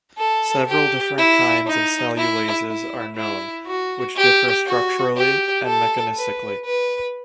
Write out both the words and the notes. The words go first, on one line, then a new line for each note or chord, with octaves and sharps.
Several different kinds of cellulases are known, which differ structurally and mechanistically.
A4
G4
E4
D#4
E4
E4
E4
F#4
G4
F#4
G4
A4
B4
B4